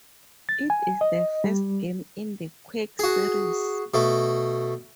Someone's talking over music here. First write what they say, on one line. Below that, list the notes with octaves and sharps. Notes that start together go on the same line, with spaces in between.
It is the first game in the "Quake" series.
A6
G#5
D#5
G3
F#4 G#4
B2 A3